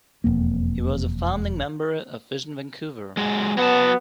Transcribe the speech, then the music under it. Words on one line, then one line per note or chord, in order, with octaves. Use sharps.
He was a founding member of Vision Vancouver.
E1 F2 A#3
F#3 G#3
F#3 B3 F#5 A5